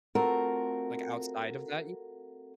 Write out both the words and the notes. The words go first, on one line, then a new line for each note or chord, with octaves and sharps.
Like outside of that y
A3 C4 F4 F#4 A#4